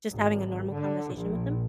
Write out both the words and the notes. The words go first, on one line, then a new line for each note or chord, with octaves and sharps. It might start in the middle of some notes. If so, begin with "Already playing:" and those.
Just having a normal conversation with them.
G#1
D3
A#1